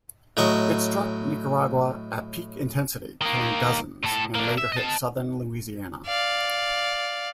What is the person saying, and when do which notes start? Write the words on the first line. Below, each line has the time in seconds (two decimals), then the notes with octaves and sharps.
It struck Nicaragua at peak intensity, killing dozens, and later hit southern Louisiana.
0.37 A2 F#3 D#5 C#6
3.22 D#3 A#3
4.03 A2 A4
4.35 A#3 D4
4.58 E5
4.72 D#5 A5
6.07 D5 F5